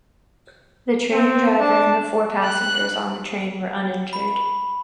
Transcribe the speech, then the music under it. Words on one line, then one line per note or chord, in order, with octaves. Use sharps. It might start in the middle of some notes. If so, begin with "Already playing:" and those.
The train driver and the four passengers on the train were uninjured.
C4
D4 A5
F#6
B5